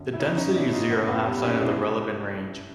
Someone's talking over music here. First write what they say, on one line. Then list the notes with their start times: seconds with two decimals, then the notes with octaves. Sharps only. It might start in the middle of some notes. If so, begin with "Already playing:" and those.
The density is zero outside of the relevant range.
Already playing: F#2 D3
0.13 E4
0.20 F#1 C#4 D#4
0.37 C#4 D#4
0.55 F#1 D4 E4
0.73 D#4 F4
0.90 F#2 B3
1.08 B3
1.26 G3 B3
1.44 C#4 D#4
1.61 C2 D4 E4